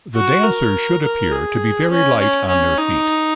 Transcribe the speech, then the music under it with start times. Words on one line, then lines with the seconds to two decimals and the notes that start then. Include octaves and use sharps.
The dancers should appear to be very light on their feet.
0.15 F#4
0.44 A#4
1.03 A#4
1.32 G#4
1.91 C#4
2.19 C#4
2.49 C#4
2.78 D#4